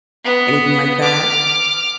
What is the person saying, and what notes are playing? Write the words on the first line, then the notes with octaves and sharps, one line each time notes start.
anything like that?
B3
D6 F6